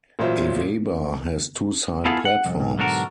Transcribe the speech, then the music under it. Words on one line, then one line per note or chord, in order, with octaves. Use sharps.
Awaba has two side platforms.
A1 A#2 F#3 F4 C5 E5
B3 E4 F4 G#4 A4 F5
F#5
C2 F2
G#2
B1 G#2 D3 D4 F#4 A#4